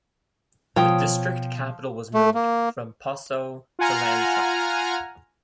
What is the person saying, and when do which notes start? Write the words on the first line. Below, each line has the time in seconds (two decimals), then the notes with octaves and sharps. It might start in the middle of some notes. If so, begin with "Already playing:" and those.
The district capital was moved from Passau to Landshut.
0.76 B2 F3 C#5 G5 D#6
2.14 A3
2.35 A#3
3.79 F4 F#5 G#5 A#5 F6